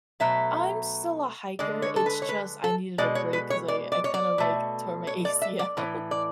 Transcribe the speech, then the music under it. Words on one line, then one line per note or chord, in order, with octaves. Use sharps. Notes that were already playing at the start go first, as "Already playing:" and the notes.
I'm still a hiker, it's just I needed a break 'cause I I kind of, like, tore my ACL
B2 F#3 A3 E5
D3 G#3 D5
C#5
A4
B4
C#5
B4
A4
B2 G#3 D5
C#5
B4
C#5
D5
D5
C#5
D5
B2 A3
C#5
D5
E5
D5
A2 E3
D5